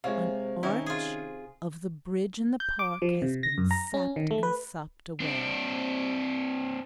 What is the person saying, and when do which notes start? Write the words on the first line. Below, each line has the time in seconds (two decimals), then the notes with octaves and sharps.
An arch of the bridge in the park has been sapped and sopped away.
0.04 C3 G#3 C#5 F5
0.63 D#3 C#4 D#4 E4
0.86 F4 G#4
2.60 G6
2.79 D6
3.02 F3
3.22 C3
3.43 A#6
3.58 F#2
3.71 A#5
3.94 C#4
4.16 D#3
4.31 A3
4.43 B4
5.20 C4 D4